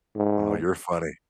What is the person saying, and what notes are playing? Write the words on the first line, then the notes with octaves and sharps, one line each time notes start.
Oh, you're funny.
G#2